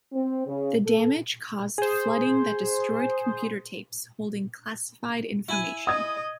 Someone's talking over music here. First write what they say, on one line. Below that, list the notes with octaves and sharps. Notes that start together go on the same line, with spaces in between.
The damage caused flooding that destroyed computer tapes holding classified information.
C4
C#3
A4
G#4 C5
E4 G#5
D#5 D#6 G#6